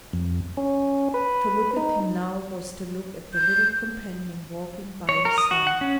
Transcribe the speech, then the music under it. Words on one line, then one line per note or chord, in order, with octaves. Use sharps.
To look at him now was to look at the little companion walking by his side.
F2
C#4
B4
D#4
G6
C#5
A#4
D#6
F#4
F#5
C#4